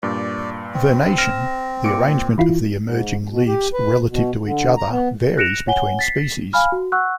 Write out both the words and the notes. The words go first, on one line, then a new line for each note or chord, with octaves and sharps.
Vernation, the arrangement of the emerging leaves relative to each other, varies between species.
G2 A#2 D5
C4
F6 A#6 E7
A#2 D6 C#7 D7
E3 E4 F4
G#2
B2
G4
B4
B2
D3
A#5
B3
F#6 A#6 C#7 D7 E7 F7
C#5 F#5 G#5 G7
A6 B6 C7
F5 G#5 B5 F6
F#4
F#5 C#6 E6 F#6